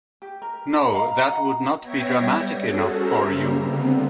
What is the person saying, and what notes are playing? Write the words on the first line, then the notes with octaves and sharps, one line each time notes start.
No, that would not be dramatic enough for you.
G4
A#4
D#5 F5 A#5 B5
F#4 D#5 F#5
B3 C#5 E5 G5 G#6 A#6
G3
C#4 F#4 G#4 A4
A#4 C5 E5 A#5
C#3 G3 A#3
D3 B3 C4